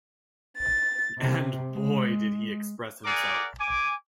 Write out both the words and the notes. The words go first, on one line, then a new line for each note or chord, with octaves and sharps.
And, boy, did he express himself.
A6
C3
G#3
G#4 A#4 D5 F#5 D6
G#5 D6